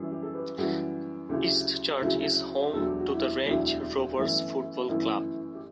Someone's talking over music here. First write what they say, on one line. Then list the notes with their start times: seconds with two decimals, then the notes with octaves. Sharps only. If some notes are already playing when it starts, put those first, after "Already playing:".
Eastchurch is home to the Range Rovers Football Club.
Already playing: F#2 E3 G3
0.11 G4
0.23 A4
0.34 G4 B4
0.58 F#2 E3 G3 F#4 A4
1.29 D2 C#3 F#3 E4 G4
2.01 D2 C#3 F#3 E4
2.73 E1 D2 D3 F#3 A4
2.86 G4
3.00 F#4
3.13 E4 G4
3.45 E1 D2 D3 F#3 E4 G4
4.16 G1 F#2 E3 A3 E4
4.88 G1 F#2 E3 A3 E4
5.55 G4